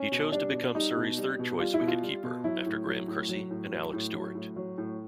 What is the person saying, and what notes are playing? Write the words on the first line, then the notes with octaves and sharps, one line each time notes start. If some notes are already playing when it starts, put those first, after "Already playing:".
He chose to become Surrey's third-choice wicket-keeper after Graham Kersey and Alec Stewart.
Already playing: C#4
B2
G3 D4
B2
G3 D#4
B2
G3
B2
G3 F4
E4
B2
F4
G3
B2
F#3 E4
A2
F#3
A2
F#3
A2
F#3
A2
F#3
A2
F#3
A2